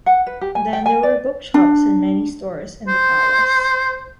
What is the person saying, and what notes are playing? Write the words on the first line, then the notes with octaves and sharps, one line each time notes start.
Then there were bookshops and many stores in the palace.
F#5
B4
G4
G#5
G5
G#5
D5
D4
C5